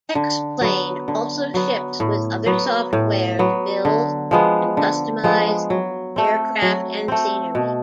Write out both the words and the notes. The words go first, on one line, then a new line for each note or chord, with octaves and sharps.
"X-Plane" also ships with other software to build and customize aircraft and scenery.
D3
F#3 B3
D3
F#3 B3
A2
F#3 B3
A2
F#3 B3
D3
F3 G#3 B3
D3
F3 G#3 B3
F#3
A3 C4
F#3
A3 C4
B2